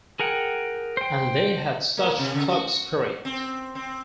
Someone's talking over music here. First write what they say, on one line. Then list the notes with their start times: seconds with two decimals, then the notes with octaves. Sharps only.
And they had such club spirit.
0.19 G#4 A#4 F#5 G5
0.97 C5 G5
1.97 A#3
2.19 C3
2.34 C#3
2.48 F#4
3.25 C4
3.75 C4